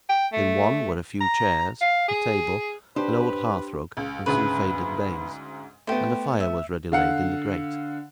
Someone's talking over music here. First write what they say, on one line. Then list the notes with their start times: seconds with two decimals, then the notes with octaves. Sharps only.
In one, were a few chairs, a table, an old hearth-rug, and some faded baize; and a fire was ready laid in the grate.
0.10 G5
0.33 A3
1.21 A#5
1.81 F5
2.09 G#4
2.96 D4 G4 B4 C5
3.97 C#2
4.26 D2 G#2 C#3 B4
5.87 A3 B3 G4 C5
6.40 E5
6.92 D3 F5 F#5